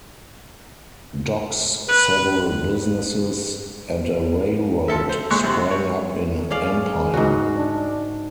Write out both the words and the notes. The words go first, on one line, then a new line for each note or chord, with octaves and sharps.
Docks, several businesses, and a railroad sprang up in Empire.
B4
F3 A4 E5
C5
A#2 G#3 C#5 C#6 F#6
F#2 C3 G3
C#5
C#4 G#4 D5 F5
G#2 F#4
D4